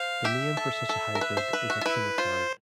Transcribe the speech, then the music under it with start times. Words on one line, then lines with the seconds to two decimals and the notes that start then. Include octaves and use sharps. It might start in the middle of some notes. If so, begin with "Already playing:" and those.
The name for such a hybrid is a Pumapard.
Already playing: C5 F5
0.24 G4 E5
0.57 A4
0.89 A4
1.15 A#4
1.21 B4
1.37 C5
1.53 B4
1.70 F#4
1.81 F4
1.86 E4 B4
2.18 F4 C5